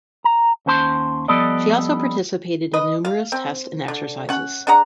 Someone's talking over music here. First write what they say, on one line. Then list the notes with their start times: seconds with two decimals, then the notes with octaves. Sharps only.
She also participated in numerous tests and exercises.
0.24 A#5
0.66 D#2 C#4 C5 A5 C6
1.28 F3 G3 B3 A4 D5 D#5
2.74 B4 D#5
3.05 F5
3.32 C4
3.88 D3
4.29 C#4 F#5
4.67 D4 G#4 F#5 A#5